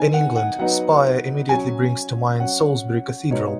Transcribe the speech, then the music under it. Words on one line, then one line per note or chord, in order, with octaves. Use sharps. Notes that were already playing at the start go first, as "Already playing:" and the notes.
In England, "spire" immediately brings to mind Salisbury Cathedral.
Already playing: D#3 B3 D#4 G#5
F#5
F#5
F#3 B3 D#4 F#5
F#3 C#4 G#5
F#3 C#4 F#5
B2 G#3 D#4 C#5